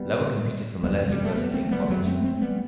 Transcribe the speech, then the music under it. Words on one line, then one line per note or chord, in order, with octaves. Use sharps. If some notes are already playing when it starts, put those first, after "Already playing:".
Lower competed for Malone University in college.
Already playing: G3 B3
E2 C3 G3 B3
G3
A3
G3 B3
A3 C4
G3 B3
G3
F#2 F#3 A3
A3 C4
A3 C4
G3 B3